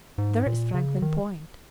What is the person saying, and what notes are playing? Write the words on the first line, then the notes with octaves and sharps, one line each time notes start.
There is Franklin Point.
G#2
A#2
C#3
D#3